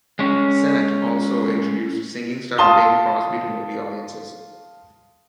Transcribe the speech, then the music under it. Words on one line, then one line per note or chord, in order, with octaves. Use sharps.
Sennett also introduced singing star Bing Crosby to movie audiences.
G#3 C#4
F4 A5 C6 D#6 G7